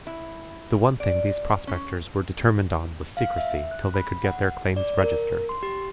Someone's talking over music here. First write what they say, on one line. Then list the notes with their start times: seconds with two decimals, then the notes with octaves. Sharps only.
The one thing these prospectors were determined on was secrecy till they could get their claims registered.
0.07 E4
1.00 D5
1.67 C#4
3.17 F5
3.38 E5
3.71 F#6
3.94 B5
4.24 F#5
4.76 D5
4.99 A#4
5.49 C6
5.63 G4